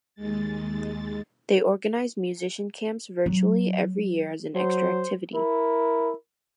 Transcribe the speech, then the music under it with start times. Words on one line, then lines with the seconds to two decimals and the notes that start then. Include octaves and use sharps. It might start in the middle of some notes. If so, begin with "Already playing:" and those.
They organize musician camps virtually every year as an extra activity.
0.15 D#2 G#3 A6
3.26 F#3
4.55 F#3 C5
5.35 E4 A#4